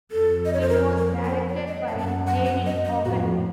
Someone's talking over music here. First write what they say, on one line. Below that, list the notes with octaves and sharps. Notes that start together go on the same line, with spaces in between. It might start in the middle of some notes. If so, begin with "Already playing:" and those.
It was directed by David Hogan.
F2 A4
D#5
C#5
C5
A#4
A#4
A#4
C5
C#5
D#5
F#2 A5
A5
F#5
F#5
F#5
D#5
D#5
F2 A2 F#4